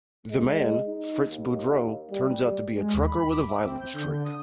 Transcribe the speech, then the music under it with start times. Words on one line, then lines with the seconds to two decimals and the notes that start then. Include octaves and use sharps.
The man, Fritz Boudreau, turns out to be a trucker with a violent streak.
0.30 G#3
0.87 D#4
1.27 D#2
2.11 G3
2.75 G#3
2.93 D#2
3.07 B5
3.30 D6
3.48 E5
3.63 C4
3.80 G6
3.93 D3
4.08 D3
4.25 D#6